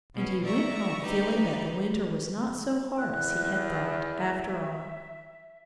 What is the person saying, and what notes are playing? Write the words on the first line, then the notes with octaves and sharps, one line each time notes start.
And he went home feeling that the winter was not so hard as he had thought, after all.
B2 C#4
D5 E5 A#5 C#6
D4 D#4 G4 B4
E2 F#6
E5